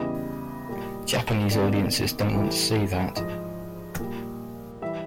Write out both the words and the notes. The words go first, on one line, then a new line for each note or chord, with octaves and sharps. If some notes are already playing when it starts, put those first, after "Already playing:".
Japanese audiences don't want to see that.
Already playing: E2 C#3 E3 G3 D#5
A#2 G3
E2 C3 D#3 D5
A2 E3 G3
G#2 F3 D#5
A#2 G3
E3 G3 E5